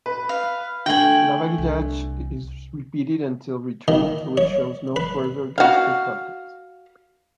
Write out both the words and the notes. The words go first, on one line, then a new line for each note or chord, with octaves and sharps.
Lavage is repeated until the returning fluid shows no further gastric contents.
B4
F5
D3 A3 G5 G#5 F#7
C2
D#3
C#5
B4
F#4 F5